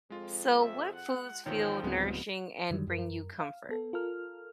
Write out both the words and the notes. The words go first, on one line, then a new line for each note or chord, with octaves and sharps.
So what foods feel nourishing and bring you comfort?
F2 G#3 F4
E5
F#5
G#1 E2 D#3 F3 C#5 G5
D1 C#3 F#3 G#3 B3 C4
F#2 D3 D#3 F#3 G3
F#2 A#4
F5
B3 A4
F4 A4 A#4 F6